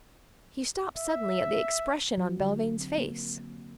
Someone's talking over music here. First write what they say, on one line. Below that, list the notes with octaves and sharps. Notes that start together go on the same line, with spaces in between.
He stopped suddenly at the expression on Belvane's face.
E5
F#3
D3
C4
A#3